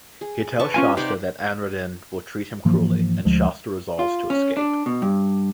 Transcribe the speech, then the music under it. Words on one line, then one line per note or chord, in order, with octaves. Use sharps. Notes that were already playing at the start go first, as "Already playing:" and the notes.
He tells Shasta that Anradin will treat him cruelly, and Shasta resolves to escape.
G#4
B4 A5 C#6
C#4 F4 G#5
C3 D#4 G4 C5 D5 F#5
G#2 E3 F3 A#3
D2 F3 G#3
F4
C#4
D4
B2
G2